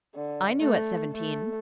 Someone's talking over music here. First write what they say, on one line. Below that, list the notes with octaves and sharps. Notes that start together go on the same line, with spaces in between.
"I knew at seventeen."
D3
A3
A3